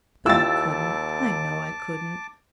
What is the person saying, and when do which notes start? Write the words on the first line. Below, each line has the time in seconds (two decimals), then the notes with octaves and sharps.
But I couldn't, I know I couldn't.
0.26 D#2 E4 F4 G4 A5 D6 E6 A6